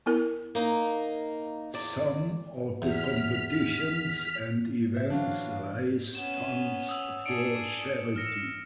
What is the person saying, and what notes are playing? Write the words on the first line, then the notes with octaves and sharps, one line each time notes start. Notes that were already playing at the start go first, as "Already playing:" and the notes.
Some of the competitions and events raise funds for charity.
B3 E4 A#4
A#3 D#4
E2 D5
E2 F6 B6
C5 E5
E3 F#3 D4 F5
B3 C#4 E7
D#6 E6
D4 G#4 C#7 D7
E6 F6 A#6 C#7